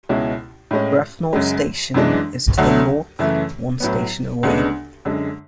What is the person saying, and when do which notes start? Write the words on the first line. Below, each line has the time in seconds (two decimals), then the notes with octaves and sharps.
Grafenort station is to the north, one station away.
0.09 C#2 B2 G#3 C#4 E4
0.71 A2 G#3 C#4
1.33 F#2 C#3 G#3
1.94 F#2 E3 G#3 D4
2.57 D2 D3 F#3 A3
3.19 F#2 C#3 E3 A3
3.80 A2 F#3 B3
4.43 D2 C#3 G#3 B3 D4
5.05 F#2 D3 G#3